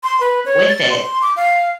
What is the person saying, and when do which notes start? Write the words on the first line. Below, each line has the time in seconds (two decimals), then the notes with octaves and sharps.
with it.
0.04 C6
0.21 B4
0.45 C#5
0.69 A6
0.90 C6
1.22 D6
1.36 F5